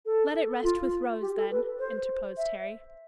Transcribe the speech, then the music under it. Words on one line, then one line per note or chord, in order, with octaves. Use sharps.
'Let it rest with Rose, then,' interposed Harry.
A4
F4
G4
A4
B4
C5
E5